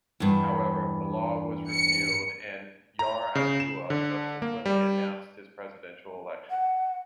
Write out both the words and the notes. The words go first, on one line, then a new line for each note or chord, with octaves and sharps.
However, the law was repealed and Yar'Adua subsequently announced his presidential election.
E2 G2
C#7
A#5
C#3
E7
D3
A#3
G3
F#5